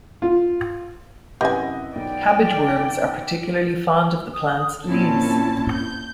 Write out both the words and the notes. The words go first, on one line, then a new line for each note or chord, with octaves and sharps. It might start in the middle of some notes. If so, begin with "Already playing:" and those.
Cabbage worms are particularly fond of the plant's leaves.
F4
F#2 C3 E4 G4 B4 D#5 F#5 G#5
B1 D5 G5
D#6
A#2 C4 C#4 E4 A5
G6